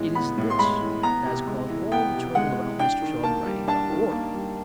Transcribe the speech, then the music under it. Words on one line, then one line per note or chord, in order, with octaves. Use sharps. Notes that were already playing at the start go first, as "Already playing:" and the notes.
It is this that has caused all the trouble about Mr. Shaw's writings on the war.
Already playing: A2 E3 G#3 B3
B3 B5
A2
C6
G#3 B5
E3
B3 A#5
C3
G#3
E3
B3 G5
C3
G#3 F#5
E3
D4 G5
D#3
A#3 A5
G3
D4 A5
D#3
A#3
G3